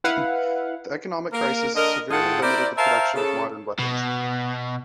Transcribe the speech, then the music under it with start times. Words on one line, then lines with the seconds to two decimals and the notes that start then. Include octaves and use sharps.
The economic crisis severely limited the production of modern weapons.
0.04 E4 B4 F5 F#5
1.33 A#3 A#4
1.75 D3 A#4 D#5
2.11 A2 F4 G#4 F#5 G5 A5
2.42 E4 A#4 C5 D5
2.78 A#4 C5 E5 F5 A5
3.14 C#3 A4
3.79 B2